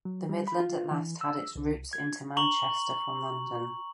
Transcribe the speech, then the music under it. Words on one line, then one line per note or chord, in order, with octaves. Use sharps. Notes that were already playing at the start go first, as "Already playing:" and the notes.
The Midland at last had its route into Manchester from London.
F#3
G3
B5
F4
E3
E6
C2
G#6
A#5 C#6 F#7